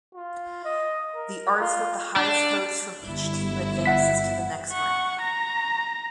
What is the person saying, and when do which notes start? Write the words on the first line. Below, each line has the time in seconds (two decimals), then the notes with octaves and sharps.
The artist with the highest votes from each team advances to the next round.
0.15 F4
0.65 D#5
1.15 A#4
1.61 F4
2.16 D4
3.03 G1 E4
3.86 E5 F#5 B6
4.71 F#5 C#6
5.21 A#5 A#6